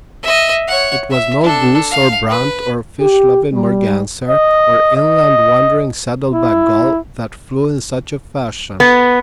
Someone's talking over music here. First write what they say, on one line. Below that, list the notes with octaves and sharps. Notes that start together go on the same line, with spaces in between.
It was no goose, or brant, or fish-loving merganser, or inland wandering saddleback gull that flew in such a fashion.
D#5 E5
C#5 F#5
E5
D4 A4
F5
B4
G4
G3
D#5
D#5
E4
B3